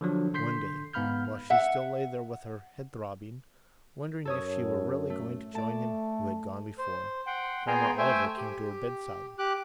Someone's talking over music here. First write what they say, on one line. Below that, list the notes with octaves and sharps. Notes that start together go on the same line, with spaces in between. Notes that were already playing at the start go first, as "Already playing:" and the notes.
One day, while she still lay there with her head throbbing, wondering if she were really going to join him who had gone before, Grammer Oliver came to her bedside.
D3 F3 F#3 D4
D3 C6 G6 B6 C7
G#2 B3 F5 B5 F6 G6
E5 F#5
F#2 A4 C#5 D#6
A3
A3 D5 A5
C5
F#5 G5 C6
B3 G#4 G5 G#5 A#5 C6
A3 C5 E5 G5 G#5
G4
G4 D6 F#6